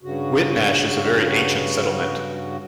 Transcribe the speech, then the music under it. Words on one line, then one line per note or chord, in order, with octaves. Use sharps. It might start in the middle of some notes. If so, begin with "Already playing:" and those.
Whitnash is a very ancient settlement.
G2 C#3 F#4